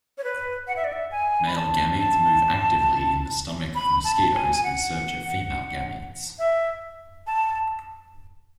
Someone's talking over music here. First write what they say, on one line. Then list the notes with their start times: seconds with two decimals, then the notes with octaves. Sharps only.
Male gametes move actively in the stomach of mosquitoes in search of female gametes.
0.18 C#5
0.24 B4
0.68 F#5
0.76 E5
0.84 D5
0.93 E5
1.11 G#5
1.47 B5
1.55 A5
2.00 A5
3.75 B5
4.04 A5
4.34 G#5
4.52 G#5
4.64 F#5
6.39 E5
7.27 A5